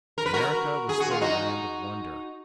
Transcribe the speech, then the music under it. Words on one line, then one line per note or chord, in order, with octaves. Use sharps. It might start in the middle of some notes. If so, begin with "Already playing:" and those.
America was still a land of wonder.
A#4
B4
F#4 A#4
G#4
F#4
F4
D#4 F#4